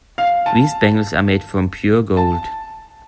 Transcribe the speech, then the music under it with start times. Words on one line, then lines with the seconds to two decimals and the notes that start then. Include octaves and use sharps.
These bangles are made from pure gold.
0.18 F5
0.46 A5
2.17 A5